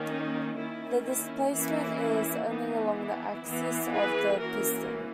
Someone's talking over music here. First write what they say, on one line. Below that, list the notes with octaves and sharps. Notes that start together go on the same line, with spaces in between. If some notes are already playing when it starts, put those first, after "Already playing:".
The displacement is only along the axis of the piston.
Already playing: D#3 A#3 C#4
D#4
D#3 A#3 C#4 E4
E4
E3 A#3 C#4 E4
E3 B3 D#4
E4
E3 B3
G#4 B4
E3 A#3 C#4 F#4 A#4